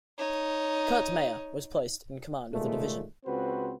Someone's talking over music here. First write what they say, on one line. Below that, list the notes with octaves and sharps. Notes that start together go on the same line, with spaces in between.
Kurt Meyer was placed in command of the division.
D#4 C#5
D#2 A#2 G#3 A3
C#2 C4 F#4 B4 C5